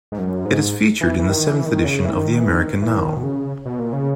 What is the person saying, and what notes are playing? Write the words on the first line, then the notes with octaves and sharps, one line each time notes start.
It is featured in the seventh edition of the American Now!
G#2
F#2
G#2
E3
E3
D#3
E3
D#3
C#3
E3
D#3
E3
D#3
E3
D#3
B2
C#3
B2
A#2
C#3